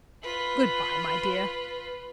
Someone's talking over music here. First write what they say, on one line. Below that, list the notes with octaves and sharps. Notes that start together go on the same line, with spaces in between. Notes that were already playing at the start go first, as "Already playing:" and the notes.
Good-by, my dear.
F4 B4